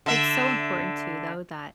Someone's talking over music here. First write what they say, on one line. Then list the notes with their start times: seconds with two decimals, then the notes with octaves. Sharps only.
it's so important too, though, that
0.06 D3 E5